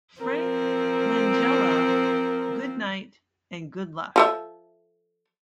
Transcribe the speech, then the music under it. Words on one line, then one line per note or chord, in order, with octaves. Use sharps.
Frank Langella - Good Night, and Good Luck.
F3 C4 A#4
F3 A4 E5